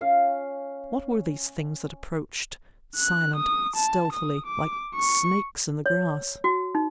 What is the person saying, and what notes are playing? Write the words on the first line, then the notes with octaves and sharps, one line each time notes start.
What were these things that approached, silently, stealthily--like snakes in the grass?
C#4 F5
F#6
D#6
A5
D#6
D6
C#6
C#5
F#4
D#4